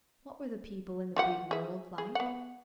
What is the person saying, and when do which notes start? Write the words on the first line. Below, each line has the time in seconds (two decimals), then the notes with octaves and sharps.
What were the people in the big world like?
1.16 F4 G4 F#5
1.51 G#4 E5
1.98 G#4
2.15 B3 F#5